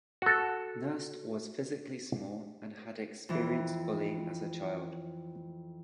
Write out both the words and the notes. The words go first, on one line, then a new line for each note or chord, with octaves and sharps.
Nast was physically small and had experienced bullying as a child.
F#4 A4
F2 E3